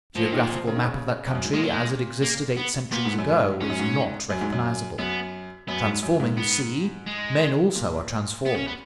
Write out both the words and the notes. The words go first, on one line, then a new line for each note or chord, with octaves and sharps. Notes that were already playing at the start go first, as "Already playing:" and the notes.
A geographical map of that country as it existed eight centuries ago is not recognizable. Transforming the sea, men also are transformed.
A#2 F3
D#3
F3
C#3
D#3
C#3
F2
F#2
G#2
A#2 G#3
F#3
G#3
A#3
B3
A#2 B3
G#2
F#2
G#2
G#2 C#4
F#2
G#2
F#2
G#2
F#2
F#2 B3
F#2 B3
G#2
F#2
G#2
B3
G#3
A#2
B3
C#4
B3